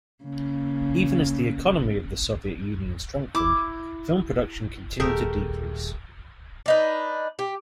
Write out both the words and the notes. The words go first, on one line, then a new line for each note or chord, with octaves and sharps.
Even as the economy of the Soviet Union strengthened, film production continued to decrease.
C#3 A#3
E4 D6
D#1 A3 G4 G#4 A#4
D4 D#4 B4
G4